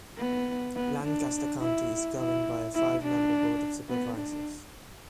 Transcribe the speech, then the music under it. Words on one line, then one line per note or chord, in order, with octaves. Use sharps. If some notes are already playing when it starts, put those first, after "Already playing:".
Lancaster County is governed by a five-member board of supervisors.
B3
B3
D4
E4
E4
E4
D4
B3
D4